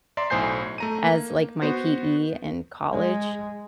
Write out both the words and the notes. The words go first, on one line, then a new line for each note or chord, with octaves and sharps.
as, like, my PE in college,
D5 E5 A#5 C6
B1 A2 C5 G#5 G6 C7
A3 A#5 D#7
A#3
B3 F#4 C5
G#3